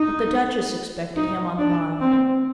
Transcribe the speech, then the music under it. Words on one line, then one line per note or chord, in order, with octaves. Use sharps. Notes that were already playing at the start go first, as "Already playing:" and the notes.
But the Duchess expected him on the morrow.
Already playing: D#4
D#4
D4
C4